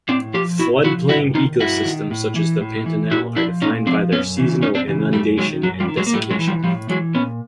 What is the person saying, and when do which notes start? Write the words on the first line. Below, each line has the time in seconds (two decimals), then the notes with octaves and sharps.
Floodplain ecosystems such as the Pantanal are defined by their seasonal inundation and desiccation.
0.09 A2 C4 D4
0.34 F3 F4 G4
0.59 A2 E4 F#4
0.84 F3 E4 F#4
1.09 G2 E4 F#4
1.35 D#3 D#4 F4
1.60 G2 E4 F#4
1.85 D#3
2.11 A2
2.36 E3
2.61 A2
2.86 E3
3.11 A#2 E4 F#4
3.36 F3 D4 E4
3.61 A#2 C#4 D#4
3.87 F3 C4 D4
4.12 F#2 B3 C#4
4.37 C#3 E3
4.62 F#2 C#4 D#4
4.75 C4 D4
4.88 C#3 E3
5.13 F#2 G3 A3
5.38 D#3 F#3 G#3
5.63 F#2 F#3
5.80 F3 G3
5.88 D#3
5.97 F#3 G#3
6.07 A#3
6.13 A2 G3 A3
6.31 F#3 G#3
6.39 E3
6.47 F3 G3
6.64 A2 F3 G3
6.89 E3 F#3 G#3
7.14 A#2 B3 C#4